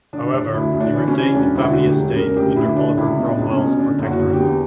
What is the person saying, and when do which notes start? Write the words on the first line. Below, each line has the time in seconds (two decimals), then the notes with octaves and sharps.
However he retained the family estate under Oliver Cromwell's protectorate.
0.13 D3 D4
0.33 D3 D4
0.53 D2 E4
0.73 D2
0.80 D4
0.94 E3
1.08 C#4
1.15 E3
1.35 E1 D4
1.55 D3 E4
1.62 F#4
1.75 D2
1.89 G4
1.96 E1
2.16 C#3 A#4
2.36 D2 G4
2.56 D2 E4
2.76 D2 D4
2.97 C#2 E4
3.18 B2
3.25 D4
3.38 C#2
3.51 C#4
3.58 B2
3.79 D3 D4
3.99 F#1
4.06 F#4
4.19 D3
4.33 G4
4.40 E2